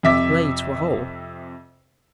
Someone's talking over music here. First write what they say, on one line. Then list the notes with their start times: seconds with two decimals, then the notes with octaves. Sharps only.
The blades were whole.
0.03 F2 C3 E5 D6 B6